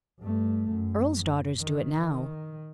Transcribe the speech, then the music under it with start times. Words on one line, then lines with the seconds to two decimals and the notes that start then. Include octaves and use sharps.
Earls' daughters do it now.
0.21 G2 A3
0.71 F#2
1.60 D#3
2.00 D#3